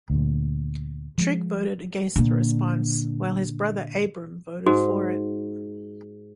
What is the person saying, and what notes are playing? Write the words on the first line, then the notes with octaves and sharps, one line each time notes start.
Trigg voted against the response, while his brother Abram voted for it.
D2 A#2
F3 G#3
A#2 D3
G#2 F#4